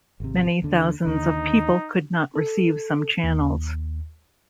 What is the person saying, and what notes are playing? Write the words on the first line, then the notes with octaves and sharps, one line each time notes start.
Many thousands of people could not receive some channels.
G#1 C3
D#2 D3
D#2 D3 D#4
A4
D#2